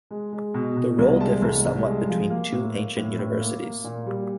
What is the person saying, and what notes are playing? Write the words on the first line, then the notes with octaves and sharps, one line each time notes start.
The role differs somewhat between the two ancient universities.
G#3
G#3
B2
B2
C2
G#3 A5
C2
C2
G#3
F3
A#3
A2
A#3
A2
A2
A#3
A#3
A#2
G3